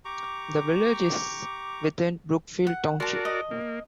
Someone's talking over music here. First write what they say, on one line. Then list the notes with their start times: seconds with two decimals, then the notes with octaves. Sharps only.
The village is within Brookfield Township.
0.05 G4 A#5 C#6 D6
2.67 F#5
3.00 F#4 A#4 D5 A5 C6
3.25 D#5
3.51 A#3